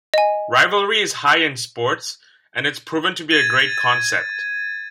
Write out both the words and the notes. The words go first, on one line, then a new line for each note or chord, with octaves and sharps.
Rivalry is high in sports and its proven to be a great concept.
D#5 G#5
G#6 A6 D#7